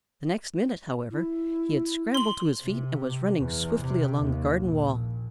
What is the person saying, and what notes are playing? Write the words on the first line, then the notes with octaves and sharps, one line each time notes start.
The next minute, however, he had scrambled to his feet and was running swiftly along the garden wall.
E4
C6 F#7
C3
E2
C3
D#2
A#1